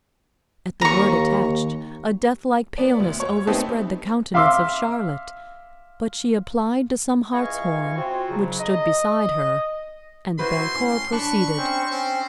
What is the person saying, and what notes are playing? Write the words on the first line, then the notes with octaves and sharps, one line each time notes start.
At the word "attached" a death-like paleness overspread the countenance of Charlotte, but she applied to some hartshorn which stood beside her, and Belcour proceeded.
D#2 A#5 C#6
B3 D5
D2
C#5
A3 B3 C4 D#4 G4 A4
E5 F5 C6 D6 E6
C#2 E3 D#5 F5 G#5 C#6
C4 F4 F#4
G#2 C#3 F#3
D#5
E4 F#4 B4 C5 C6
A2 C#4
D4 B5 C#6 F#6
C4 C#4 C5
C4 C#4 C5